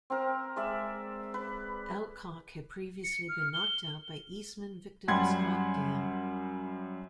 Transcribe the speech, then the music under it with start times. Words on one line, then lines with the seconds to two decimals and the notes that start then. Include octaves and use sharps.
Elcock had previously been knocked out by Eastman-victim Scott Dann.
0.10 C4 A#4
0.56 G#3 D5 E5
1.34 B4
3.04 C#7
3.29 F6
3.54 G7
5.08 F#2 G3 F#5 B5 C6 G#6